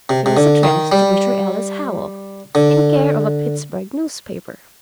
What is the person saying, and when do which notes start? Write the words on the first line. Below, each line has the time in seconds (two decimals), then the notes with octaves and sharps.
It was addressed to Mr. Ellis Howell, in care of a Pittsburgh newspaper!
0.09 C3
0.26 C3
0.37 D3
0.63 D#3
0.92 G3
2.55 D3